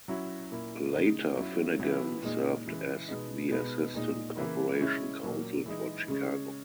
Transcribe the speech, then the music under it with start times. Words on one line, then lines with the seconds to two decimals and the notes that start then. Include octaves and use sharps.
Later, Finnegan served as the Assistant Corporation Counsel for Chicago.
0.08 F#3 C#4 E4
0.51 A#2 A#3 E4
0.94 C#3 G#3 D#4
1.37 F#3 C#4 E4
1.80 E3 B3 E4
2.22 A#2 G#3 D#4
2.65 C#3 E3 G#3
3.08 B2 G#3 B3 D#4
3.52 B2 G#3 B3 D#4
3.94 A#2 G#3 D#4
4.37 C#3 E3 A#3 E4
4.80 C#3 G#3 C#4 E4
5.22 A#2 F#3 A#3
5.66 E3 G#3 D#4
6.08 C#3 G#3 C#4